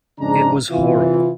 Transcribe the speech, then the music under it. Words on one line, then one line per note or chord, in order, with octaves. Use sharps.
It was horrible.
F2 G#2 C#3 G#3 D4 A#5
C3 E3 F4